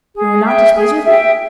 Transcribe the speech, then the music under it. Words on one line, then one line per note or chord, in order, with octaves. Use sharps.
"You are not displeased with me?"
G#4
E5 G5
G#4
E5 G5